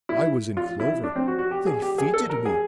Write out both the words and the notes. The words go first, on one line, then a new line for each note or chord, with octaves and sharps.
I was in clover. They fêted me.
E4
F4
E4
D4
C4
F#4
F#4
G4
G#4
G4
G#4
A4
A#4
G#4